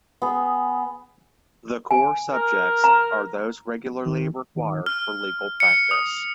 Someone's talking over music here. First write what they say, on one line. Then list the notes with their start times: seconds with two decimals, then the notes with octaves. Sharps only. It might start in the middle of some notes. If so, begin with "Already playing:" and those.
The core subjects are those regularly required for legal practice.
0.22 B3 G#4
1.91 G#5
2.33 A#4
2.84 A#5
4.86 F6
5.60 C#7
5.91 D#6